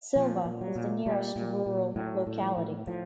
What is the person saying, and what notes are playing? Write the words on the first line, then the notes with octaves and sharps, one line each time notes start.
Sylva is the nearest rural locality.
A#2 F3
A#2
F#3
A#2
A#2 G3
A#2
A#2
A2 F#3
A2
F3
A2
A2 F3